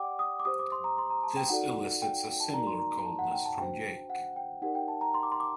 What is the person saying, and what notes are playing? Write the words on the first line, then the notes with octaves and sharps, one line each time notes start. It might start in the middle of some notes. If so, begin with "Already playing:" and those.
This elicits a similar coldness from Jake.
Already playing: G4 D5 F#5 G5 D6
D#6
D6
G4 C5 D#6
D6
C6
A#5
C6
A#5
A5
G5
D#4 F#4 A4 D5 F#5
G5
G5
A5
D#4 F#4 A#4 D5 A#5
C6
A#5
A#5
A5
F#5
G5
A5
D4 F#4 C5 G5
F#5
G5
D#4 G4 A#4 D5 F#5
G5
A5
A#5
C6
D6
C6
D6